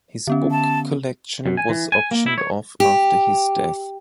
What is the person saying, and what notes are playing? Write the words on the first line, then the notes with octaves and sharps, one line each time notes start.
His book collection was auctioned off after his death.
D3 B3 C#4
A5
F#2
G#5
E3
G#5
A#3
E4
C#5
G4